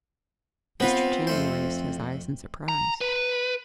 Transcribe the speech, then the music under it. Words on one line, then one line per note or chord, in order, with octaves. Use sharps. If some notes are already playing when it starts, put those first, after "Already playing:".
Mr. Channing raised his eyes in surprise.
B3 C4 F4 B4
F2 A3 C5
A#5
B4